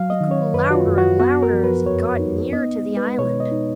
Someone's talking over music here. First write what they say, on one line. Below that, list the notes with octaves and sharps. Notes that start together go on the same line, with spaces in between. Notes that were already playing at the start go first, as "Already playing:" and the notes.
It grew louder and louder as he got nearer to the island.
Already playing: F#3 F5
D#5
D#3
C#5
F#2 B4
F#4
F4
F#2
F#4
B3 F#4
A#4
F3
B4
F2 C#5
D#4
B3 D#5
G#3
B4
B2 C#5
D#5
D#4